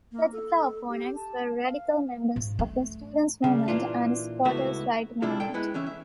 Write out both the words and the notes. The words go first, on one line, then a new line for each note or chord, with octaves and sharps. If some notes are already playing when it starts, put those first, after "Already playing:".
Particular opponents were radical members of the students' movement and squatters' rights movement.
A#3
A4
G4
A5
F5
G#2
A3
C#3 G3
A#2 E3 D4 F4
C#2 A3 B3 E4 F#4
C3 G3 D4 E4 F4 A4
A#2 A4 G5
G#3 B3 E4
E3 C#4 E5
E5